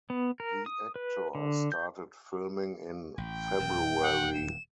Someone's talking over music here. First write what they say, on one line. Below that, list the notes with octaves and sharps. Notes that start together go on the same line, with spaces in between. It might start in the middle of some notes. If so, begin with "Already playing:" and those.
The actor started filming in February.
B3
A#4
D#6
B4
D3
G6
A1 G5
D#1 E2
F#5
E7